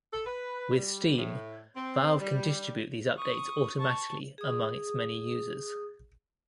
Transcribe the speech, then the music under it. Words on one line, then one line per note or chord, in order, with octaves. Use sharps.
With Steam, Valve can distribute these updates automatically among its many users.
A4
B4
G3
A2
C4
G3
C#6 D#6
A5 C#6
G#4 D#6